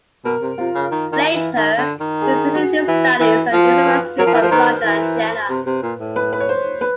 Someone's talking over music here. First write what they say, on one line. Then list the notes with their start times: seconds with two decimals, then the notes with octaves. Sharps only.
Later, he continued his studies at the Universities of London and Jena.
0.25 B2 A#4
0.42 C3
0.58 C3 F4
0.75 C#3
0.91 D#3
1.13 D#3
1.34 E3
1.56 D#3
1.78 D3
2.00 D#3
2.21 G#4
2.55 F#4
2.88 E3
3.20 E3
3.53 F3 F4
3.87 B4
4.19 F#3 A#4
4.27 F3
4.34 E3
4.42 F3 C5
4.51 D#3 B4
4.85 E3
5.50 C3
5.66 C3
5.83 A#2
5.99 A2
6.16 B4
6.33 B4
6.40 C#5
6.49 C5
6.81 B4